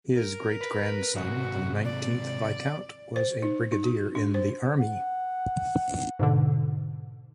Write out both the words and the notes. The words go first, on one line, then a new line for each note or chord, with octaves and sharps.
His great-grandson, the nineteenth Viscount, was a Brigadier in the Army.
A#4
B4
G#2 C3 F#4
D5
C5
D#4
D#4
F#4
D4
C5
F#5
G#2 B2 D3